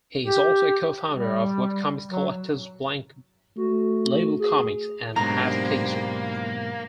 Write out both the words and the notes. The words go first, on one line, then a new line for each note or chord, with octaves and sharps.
He is also a co-founder of webcomics collectives Blank Label Comics and Halfpixel.
G4
G3
F#3
A3 F#4
G#4
B1 G#2 A#3 B3 D4 G4 C5 A#5